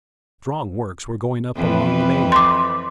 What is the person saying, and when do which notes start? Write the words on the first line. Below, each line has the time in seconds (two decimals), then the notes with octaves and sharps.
Strong works were going up along the mainland.
1.56 F2 E3 B4
2.32 C6 D6